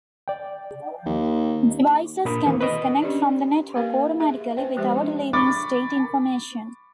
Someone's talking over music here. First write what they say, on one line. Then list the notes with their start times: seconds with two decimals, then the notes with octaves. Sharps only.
Devices can disconnect from the network automatically without leaving state information.
0.28 D5 G5
1.06 D#2
2.25 A#2 D4 A#4 B5 D#6
2.46 D#3 E3 A#3 C4
2.61 B4 D#5
3.02 C#4 D4 G4 D5
3.75 A#3 G4 A#4 B4 F5
4.20 G#4 E5
4.57 B4 C5 G5
4.77 F3 G#3 G4 B4 C5 E5
4.96 D4
5.33 B5 C#6 D6 A6